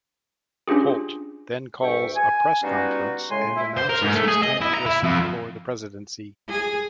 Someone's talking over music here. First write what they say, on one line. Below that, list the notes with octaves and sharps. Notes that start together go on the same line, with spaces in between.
"Holt" then calls a press conference and announces his candidacy for the presidency.
C#4 D4 F4 G4 G#4
D2 G2 E5 G5 C#6
G#5
G3 B3 C#4 D#4 F4 F#4
A2 C#3 G#3 G#5 C6
E4
C5
A#4
G#2
A3
G#4
D#5
E4
A#5
E4
F2
G#4